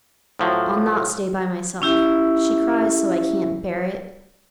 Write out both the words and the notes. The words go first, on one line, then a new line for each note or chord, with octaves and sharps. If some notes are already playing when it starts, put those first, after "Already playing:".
'I'll not stay by myself. She cries so I can't bear it.
A2 F3 F#3
C#4 E4 G4 E5